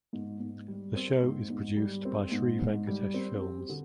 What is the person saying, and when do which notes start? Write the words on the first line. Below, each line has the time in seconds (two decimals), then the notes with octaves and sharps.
The show is produced by Shree Venkatesh Films.
0.13 G#2
0.40 G#2
0.68 G3
0.96 C4
1.23 G#2
1.50 G#2
1.77 G3
2.05 C4
2.32 G#2
2.59 G#2
2.87 G3
3.14 C4
3.42 G4
3.69 D3